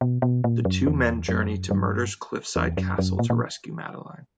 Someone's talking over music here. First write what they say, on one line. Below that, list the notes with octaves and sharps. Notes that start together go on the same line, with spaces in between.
The two men journey to Murder's cliffside castle to rescue Madeleine.
B2
B2
A#2
F#2
E2
F#2
G2
E2
F#2
F#2
A#2
A#2